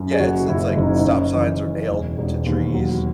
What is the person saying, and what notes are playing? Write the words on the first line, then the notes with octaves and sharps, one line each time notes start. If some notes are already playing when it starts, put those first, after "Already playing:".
Yeah, it's it's like stop signs are nailed to trees,
Already playing: F#2
G#4
F#1 F#4
F#1 E4
F#1 D#4
E4
D#4
F#1 C#4
E3
E3
E1
E1
D#2
F#3